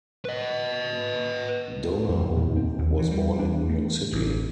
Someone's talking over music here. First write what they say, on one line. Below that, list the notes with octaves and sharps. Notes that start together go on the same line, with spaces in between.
Donahue was born in New York City.
B4 D#5
F2
A#2
C4
D#2
E3
G3
D4
A3
A1